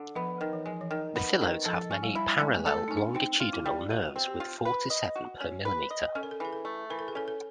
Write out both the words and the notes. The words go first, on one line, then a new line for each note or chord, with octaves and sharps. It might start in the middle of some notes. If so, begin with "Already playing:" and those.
The phyllodes have many parallel longitudinal nerves with four to seven per millimetre.
Already playing: D3
F3 B3
D#3
E3
F3 G#3
E3
D#3
B3
D#3
F3 A4
C#4
G3
E4
G#3 C#4
A3
G#3
A4
A3
C#4 D#4
D4
C4 D#4
F4
E4
G3
B2 F#4
C4
G4
F4
B4
D#5
F#4
C#4
B4
D#5
C#4 A4
A#4
A4
E3 G#4
A4
A3
E3 A#4
A4
G#4
C#4 A4
A4